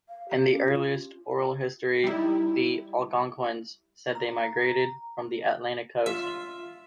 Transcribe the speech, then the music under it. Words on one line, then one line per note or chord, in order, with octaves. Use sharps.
In the earliest oral history, the Algonquins say they migrated from the Atlantic coast.
F5
G4
C#4
F4
G3 D#4 E4
A#5
F4 E5